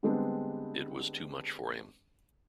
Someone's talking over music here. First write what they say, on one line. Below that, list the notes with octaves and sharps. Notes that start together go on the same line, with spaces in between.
It was too much for him.
D3 G3 G#3 B3 C4 D4